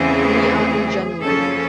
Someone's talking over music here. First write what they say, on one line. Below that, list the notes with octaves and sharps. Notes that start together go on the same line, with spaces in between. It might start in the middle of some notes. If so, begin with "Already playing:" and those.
We are in January.
Already playing: E2 C#3 E3 A3 C4 G#4
F#2 C#3 F3 A#3 C#4 A4